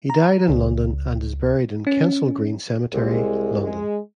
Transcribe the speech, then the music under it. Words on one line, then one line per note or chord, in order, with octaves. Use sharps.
He died in London and is buried in Kensal Green Cemetery, London.
A#5
C#2
C#4
C2 G#3
G#3